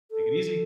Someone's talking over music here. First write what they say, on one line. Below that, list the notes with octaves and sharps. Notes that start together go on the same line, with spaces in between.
Take it easy,
A4
A4